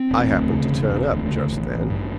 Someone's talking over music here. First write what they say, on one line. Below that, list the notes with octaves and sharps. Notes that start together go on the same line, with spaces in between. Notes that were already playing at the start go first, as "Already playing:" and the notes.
I happened to turn up just then.
Already playing: C4
E1
D2
C#3
E1
E1
D2
C#3
A1
A1
G2